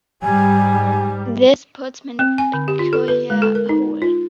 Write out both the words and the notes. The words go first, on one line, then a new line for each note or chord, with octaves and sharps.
This puts me in a peculiar hole.
G#2 G3 G#5
C4
G#5
D3
G4
F4
A4
B4
G#3
A4
A#4
D#4
F4